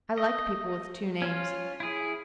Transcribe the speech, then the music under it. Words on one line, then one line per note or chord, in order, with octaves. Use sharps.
I like people with two names.
D#5
C#4 F4
E4 G#4